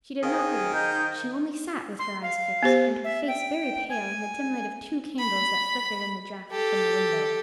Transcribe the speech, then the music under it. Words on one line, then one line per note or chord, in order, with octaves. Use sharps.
She did not read; she only sat with her eyes fixed, and her face very pale, in the dim light of two candles that flickered in the draught from the window.
D#3 G#4 C5 F5 D#6
D#4 G6
C6
F5
B3 G4 C5
E5
G5
G#5
B5
G4 A4